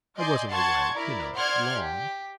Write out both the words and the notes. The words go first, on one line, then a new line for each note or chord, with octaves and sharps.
"I wasn't away, you know, long."
D5 D#5 G#5 C6 G6
F#5 A5 C6 C#6 G#6
E4 A#4 D5
C5 D5 F#5 C6 F6 G#6
G4